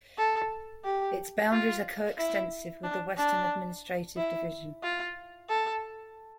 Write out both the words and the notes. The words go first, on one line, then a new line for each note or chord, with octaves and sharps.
Its boundaries are co-extensive with the Western administrative division.
A4
G4
F4
E4
D4
D4
E4
F4
A4